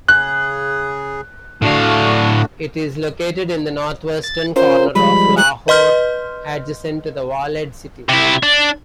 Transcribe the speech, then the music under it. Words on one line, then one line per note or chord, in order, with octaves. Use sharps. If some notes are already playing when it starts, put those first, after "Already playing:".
It is located in the northwestern corner of Lahore, adjacent to the Walled City.
C#3 G#4 F#6
A2 A3 D4 F#4 F5
A6
C#4 F4 A#4 C5
F3 G3 G#3 B5
F#6
B4 D#5 C6 F6 G6
C3 E4
D4